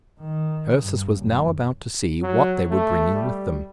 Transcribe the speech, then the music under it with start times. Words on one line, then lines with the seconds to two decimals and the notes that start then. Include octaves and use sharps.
Ursus was now about to see what they were bringing with them.
0.20 D#3
0.79 G2
1.16 F#1
2.22 F#3
2.71 A3
3.14 G3